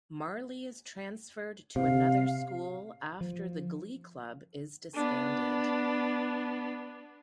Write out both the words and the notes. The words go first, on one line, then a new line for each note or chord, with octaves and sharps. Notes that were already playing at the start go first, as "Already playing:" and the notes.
Marley is transferred to another school after the glee club is disbanded.
C3 F5
F3
B3 D4